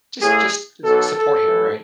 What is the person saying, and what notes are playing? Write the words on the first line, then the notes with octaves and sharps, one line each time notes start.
Just just just support him, right?
A1 A2 E3 G#4
B1 B2 A4
A4
A1 A2 E3